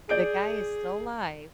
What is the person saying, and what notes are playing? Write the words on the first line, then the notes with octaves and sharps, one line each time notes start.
the guy is still alive,
G#4 D5 G6 D7